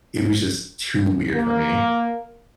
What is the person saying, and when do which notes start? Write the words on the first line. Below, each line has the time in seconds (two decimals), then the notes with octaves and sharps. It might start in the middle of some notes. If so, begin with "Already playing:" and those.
it was just too weird for me.
1.33 A#3